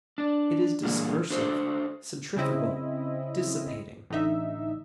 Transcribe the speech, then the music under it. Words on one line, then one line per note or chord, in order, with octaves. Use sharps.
It is dispersive, centrifugal, dissipating.
D4 D5
A#2 D3 E3 G3 G#3 A#3
D4 F#4 A4 C5
C#3 C4 E4 D#5
A1 D3 D#4 E5